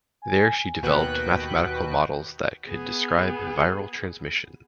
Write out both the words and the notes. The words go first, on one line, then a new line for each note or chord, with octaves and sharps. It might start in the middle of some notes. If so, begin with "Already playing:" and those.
There she developed mathematical models that could describe viral transmission.
G#5
D#2 B2 F#4 B4 G5 F#6
B3 G#4